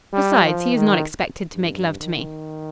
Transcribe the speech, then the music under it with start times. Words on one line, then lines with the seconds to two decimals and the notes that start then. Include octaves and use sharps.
Besides, he is not expected to make love to me.
0.13 G3
0.44 F3
0.75 D#3
1.54 G2
2.00 D#3